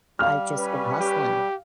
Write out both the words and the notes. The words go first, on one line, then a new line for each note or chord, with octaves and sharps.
I've just been hustling
G3 F5 F6
C#4 B4
G4